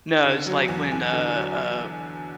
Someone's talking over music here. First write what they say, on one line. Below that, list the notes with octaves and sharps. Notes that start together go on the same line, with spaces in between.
No, it's, like, when, uh, uh
D3
F#3
E2
E2
D3
F#3